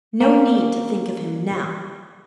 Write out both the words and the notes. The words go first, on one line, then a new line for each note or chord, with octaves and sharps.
No need to think of him now.
A#3 C#4